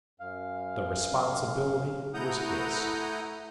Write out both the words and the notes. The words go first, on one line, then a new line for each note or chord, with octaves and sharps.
The responsibility was his.
F#2 F5
A3 E4 F#5 A#5 D#6 G6